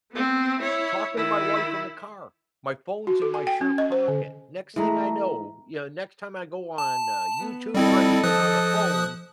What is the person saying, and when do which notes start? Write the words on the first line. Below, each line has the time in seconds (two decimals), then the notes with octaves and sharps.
talking to my wife in the car, my phone's in my shirt pocket, next thing I know you know, next time I go on, uh, YouTube or anything on the phone
0.12 B3 C4
0.60 E4 C#5
1.16 D#3 E4
3.07 F#4
3.22 A4
3.34 G#5
3.47 G5
3.61 C#4
3.78 D#5
3.92 C5
4.08 D3
4.76 E3 G#3 A3 E4 A#5
6.78 A5
7.39 B3
7.74 G3 C4 E4 A4 D#5
8.24 F3 D#6 F#6